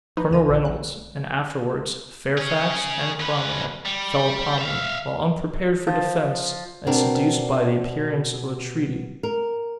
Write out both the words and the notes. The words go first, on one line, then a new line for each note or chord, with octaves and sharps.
Colonel Reynolds, and afterwards Fairfax and Cromwell, fell upon them, while unprepared for defence, and seduced by the appearance of a treaty.
F3 D#4 B4
C#2 D#7
A#1 A#2
A#1 F#6
C#4 G#4
C#4 B4
G3
E5 F5
F3
B2 C4 D4 A#4
A#4